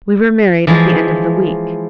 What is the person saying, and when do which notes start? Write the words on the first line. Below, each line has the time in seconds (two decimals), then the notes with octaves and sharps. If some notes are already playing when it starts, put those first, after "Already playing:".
We were married at the end of the week.
0.67 E3 F3 G#3